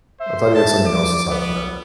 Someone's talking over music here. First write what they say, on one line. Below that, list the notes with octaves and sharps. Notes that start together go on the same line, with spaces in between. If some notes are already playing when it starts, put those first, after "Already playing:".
I thought he had something else aside from that.
C5 E5
A5
F3 D6
B3